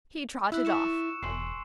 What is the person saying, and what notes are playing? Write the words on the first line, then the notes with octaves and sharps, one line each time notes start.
He trotted off.
E4 E6 F#6
C#6 C#7 E7
E1 G#5 C6 C7